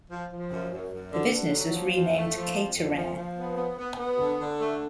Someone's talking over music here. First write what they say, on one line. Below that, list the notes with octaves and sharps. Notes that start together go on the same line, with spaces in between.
The business was renamed Caterair.
F3
F3
F#2
F#2
F#2
D3
D3
F#3
F3
F2
A3
F3
F2
F2
F3
F3
B3
B3
B3
B3
D3
D3
A3